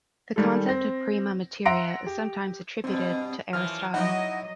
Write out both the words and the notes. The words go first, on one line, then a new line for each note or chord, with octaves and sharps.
The concept of prima materia is sometimes attributed to Aristotle.
D#3 G3 G#3 A4
C4 A#6
E5 F#5 A#5 C6 A#6 D7
G4
G2 B2 C4
F#2 E3 F3 F6
F#3 D#4 E4 D#5 F#5